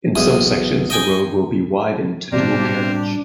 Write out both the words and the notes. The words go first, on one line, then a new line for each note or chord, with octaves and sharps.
In some sections the road will be widened to dual carriage.
B1 E2 D#6
D#5 G5 G#5
B1 A2 C3 G3 D4 G4 A#4 C5